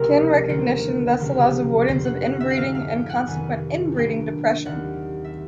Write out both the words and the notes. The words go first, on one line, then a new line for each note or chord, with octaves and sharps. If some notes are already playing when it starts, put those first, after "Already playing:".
Kin recognition thus allows avoidance of inbreeding and consequent inbreeding depression.
Already playing: C#2 C3 F3 A#3 A#4
D#2 D3 F#3 A#3 C5
C#2 C3 F3 A#3
F2 D3 G3 C5
F#5
F#5
E5
F#5
G#2 F3 A3 F5
F5
G5
F#5
F2 C3 D#3 G3 B3 G#5
A#2 F#3 B3 D4 G5
D#2 D#3 G3 C4 F#5
E5